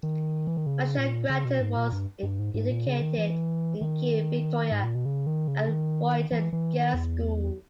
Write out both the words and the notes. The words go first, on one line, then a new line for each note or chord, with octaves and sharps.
Michelle Grattan was educated in Kew, Victoria at Ruyton Girls' School.
D#3
E3
D#3
C#3
A#2
C#3
B2
G#2
A#2
G2
G2
G#2
G#2
A#2
C#3
D#3
E3
D#3
G#2
A#2
B2
C#3
D#3
C#3
D#3
E3
E3
D#3
E2